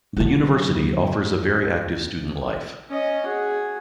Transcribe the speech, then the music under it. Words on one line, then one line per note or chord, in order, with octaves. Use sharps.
The university offers a very active student life.
D3 F#3
C#4 D#5
F#4 G#4